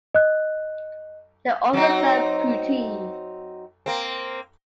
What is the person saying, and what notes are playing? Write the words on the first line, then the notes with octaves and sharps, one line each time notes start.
They also serve poutine.
D#5 F#6
F#3 C4 D#4
A#3 C4